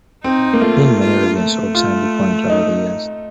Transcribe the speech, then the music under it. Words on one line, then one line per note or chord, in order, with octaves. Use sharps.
There have been many residents of Sandy Point over the years.
C4 D#4
A#3
A3 F4
F4
A3
F4
D#4